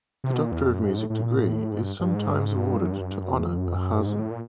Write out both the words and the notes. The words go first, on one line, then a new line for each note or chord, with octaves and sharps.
The doctor of music degree is sometimes awarded to honour a "hazzan".
C3
B2
A#2
E2
F2
F#2
G#2
A2
A2
A#2
A2
G#2
G2
G2
G#2
G2
G#2
G2
F#2
G2
F#2
G2
F#2
E2
F2
F#2
F2
F#2
G2
G#2
A2
A#2